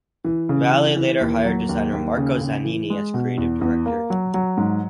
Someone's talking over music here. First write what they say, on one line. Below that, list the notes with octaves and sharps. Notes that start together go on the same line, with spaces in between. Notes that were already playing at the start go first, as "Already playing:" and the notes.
Valle later hired designer Marco Zanini as creative director.
E3
C#3
E3
E3
D#2
F#3
D#2
D#2
C#3
C#3
E3
G#3
B2
E2
E2
A#3
F#3
F#3
G#2